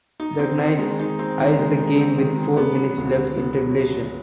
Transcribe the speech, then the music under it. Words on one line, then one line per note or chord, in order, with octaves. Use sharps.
The Knights iced the game with four minutes left in regulation.
D#4
C4
D#3
G#3
D#4
C4
D#3
G#3
D#4
C4
D#3
G#3
B3
F#3
D2
D3
B3
F#3